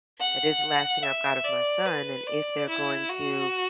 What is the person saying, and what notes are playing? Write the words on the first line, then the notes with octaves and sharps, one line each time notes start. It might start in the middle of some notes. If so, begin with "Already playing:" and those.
that is the last thing I've got of my son, and if they're going to
F#5
E5
D5
B4
D5
E4
F#4